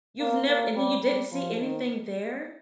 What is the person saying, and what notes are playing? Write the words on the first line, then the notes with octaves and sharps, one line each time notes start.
You've never and then you didn't see anything there?
A#3
A#3
G3
G3
F3
D#3